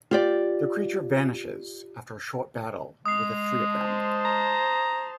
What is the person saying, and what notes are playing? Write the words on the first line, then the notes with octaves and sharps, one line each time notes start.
The creature vanishes after a short battle with the three of them.
F4 G4 D5
G#3 D#6 C7
C5 A5
A#5